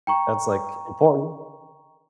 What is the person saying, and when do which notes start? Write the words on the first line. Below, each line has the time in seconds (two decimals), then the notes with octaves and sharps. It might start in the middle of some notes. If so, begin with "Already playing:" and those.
that's, like, important.
0.07 G5 A#5 C#6